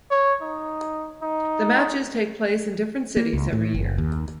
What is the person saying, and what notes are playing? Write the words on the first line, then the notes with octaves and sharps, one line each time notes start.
The matches take place in different cities every year.
C#5
D#4
D#4
A#3
C#2
A2
F#1
D#2